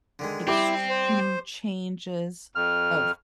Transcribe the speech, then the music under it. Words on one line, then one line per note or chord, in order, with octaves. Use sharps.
extreme changes of
D3 D#3 G#3
G3 C4 E4 G4 D6
C5
F2 F6